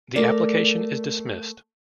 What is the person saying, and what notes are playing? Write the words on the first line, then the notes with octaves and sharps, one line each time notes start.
The application is dismissed.
A3 A#4 D5